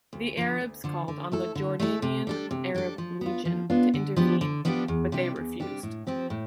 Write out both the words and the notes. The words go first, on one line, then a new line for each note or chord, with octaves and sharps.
The Arabs called on the Jordanian Arab Legion to intervene but they refused.
D2
D3 F3
D2
D3 F3
D3
A3 E4 A4
D3
A3 E4 A4
C3
G3 D4 A4
C3
G3 D4 A4
F3
B3 D4 F4
F3
B3 D4 F4
D3
F3 B3 D4 G4
D3
F3 B3 D4 G4
E2
C3 G3 D4 G4
E2
C3 G3 D4 G4
A2
F3 C4 G4
A2